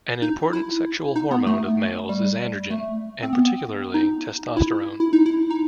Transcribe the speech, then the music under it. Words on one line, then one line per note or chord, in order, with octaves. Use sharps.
An important sexual hormone of males is androgen, and particularly testosterone.
D#4
E4
D#4
B3
A3
G3
A3
C4
B3
D#4
E4
E4
D#4
E4
D#4